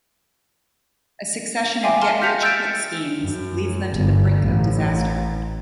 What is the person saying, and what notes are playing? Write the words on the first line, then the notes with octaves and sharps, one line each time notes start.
A succession of get-rich-quick schemes leads them to the brink of disaster.
E5 F5 G5 G#5 C6 D6
A5 C6 F6
F6 G6 B6 C#7 F7
E6 G6 A6 D7 E7
F#2
G1
A1